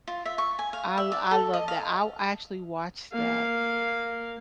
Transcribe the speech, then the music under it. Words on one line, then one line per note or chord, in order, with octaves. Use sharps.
I lo I love that I actually watched that.
F4
E5
C#6
G#5
F5
E5
D5
A4
D#5
F5
A#3 F5